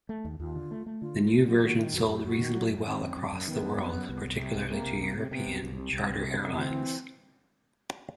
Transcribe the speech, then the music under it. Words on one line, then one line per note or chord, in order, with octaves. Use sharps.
The new version sold reasonably well across the world, particularly to European charter airlines.
A3
D#2
D#2 F4
D3
A3
A3
D3 F4
A3
A3
F#3
D#3 F#4
D#3
F#2 F#4
F#2 G4
F#2 F#4
D#3
F#3
F#2
D#3 C4
F#2
F#2
F#2
D#3 B3
F#2
F#2
F#2
C2
C2
C3
C2
C3 A#3
C2
C3
C3
C3 B3
C2
C2
C3
C2 C4
C2
C3
C3
E3 C4
E3